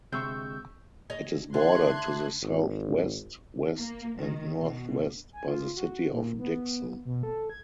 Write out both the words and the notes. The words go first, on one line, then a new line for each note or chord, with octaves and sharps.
It is bordered to the southwest, west, and northwest by the city of Dickson.
D2 C3 G#3 C#6 E6 G6
C#5 D#5
D3 E5 C6 F#6 G#6
G#1
A#3
D#3
B2
G#5
F4
F#4
A#2
B3
B2
A4
G#6